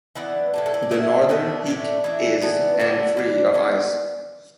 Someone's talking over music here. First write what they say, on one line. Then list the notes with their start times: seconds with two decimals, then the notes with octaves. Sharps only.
The northern peak is and free of ice.
0.15 E3 B3 D4 F#5
0.54 A2 E3 D4
0.66 A4
0.74 B4
0.82 D5
0.91 A2 F#3 D4 E5
1.29 B2 B3 D4
1.66 A2 A3 D4
2.04 E3 D4 E5
2.42 E3 B3 D4
2.79 D3 F#3 B3 D4 A5
3.17 E3 D4
3.54 E3 B3 D4